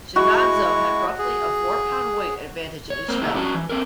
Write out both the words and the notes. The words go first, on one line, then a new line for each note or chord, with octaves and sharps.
Jannazzo had roughly a four-pound weight advantage in each bout.
G#3 E4 F#4 C#6
G#4
C#5
A#3 C4
A2 C3 G3 A3 A#3 E4
C#4 D4 F#4
E3
C4 A4 A#4